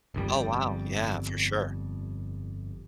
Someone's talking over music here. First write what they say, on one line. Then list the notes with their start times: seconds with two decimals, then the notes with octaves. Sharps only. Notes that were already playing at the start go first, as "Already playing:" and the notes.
Oh, wow. Yeah, for sure.
0.14 G1 F2 D3 G3